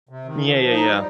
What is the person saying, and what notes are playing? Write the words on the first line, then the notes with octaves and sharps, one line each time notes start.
Yeah, yeah, yeah.
C3
D#3
F3
F3
D#4
G3